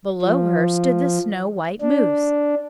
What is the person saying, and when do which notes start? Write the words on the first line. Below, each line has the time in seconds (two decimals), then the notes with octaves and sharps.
Below her stood the snow white moose.
0.22 F3
1.81 D4